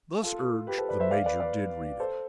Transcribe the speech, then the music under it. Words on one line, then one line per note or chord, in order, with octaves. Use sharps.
Thus urged, the Major did read it.
F4 A4
G4 B4
A4 C5
B4 D5
C5 E5
D5 F5
B4 D5
B4 D5
A4 C5